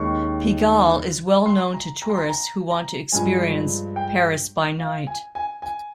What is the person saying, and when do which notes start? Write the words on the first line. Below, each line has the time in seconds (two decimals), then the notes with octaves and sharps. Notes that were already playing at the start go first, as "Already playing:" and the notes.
Pigalle is well known to tourists who want to experience "Paris by night".
Already playing: D#2 D#3 G#3 C#4 C#6
1.46 C6
1.74 A#5
2.02 A#5
2.10 C6
2.17 A#5
2.30 A#5
2.71 A#5
3.12 G2 F3 G#3 G#5
3.96 G5
4.79 F5
5.07 G#5
5.35 G#5
5.62 G#5